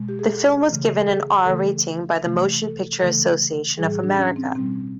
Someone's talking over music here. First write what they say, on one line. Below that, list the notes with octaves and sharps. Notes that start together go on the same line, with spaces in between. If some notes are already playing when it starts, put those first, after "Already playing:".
The film was given an "R" rating by the Motion Picture Association of America.
Already playing: B2 G#3
G4
G#4
A4
C#3 E3 A3
A4
G#4
C#3 E3 A3 A4
C3 E3 A3
A4
C#3 E3 A3 A4
A2 E3 G3 G#4
G#4
D4
C#4
C4
B2 G3 C4